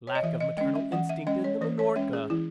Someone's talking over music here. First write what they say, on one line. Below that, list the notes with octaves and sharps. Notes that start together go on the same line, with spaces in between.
Lack of maternal instinct in the Minorca.
C#5
D#5
E3 E5
D#5
G#3 C#4 D#5
E5
E3 F#5
E5
G#3 C#4 D#5
C#5
E3 C5
C#5
G#3 C#4 E5
G#4
E3 E4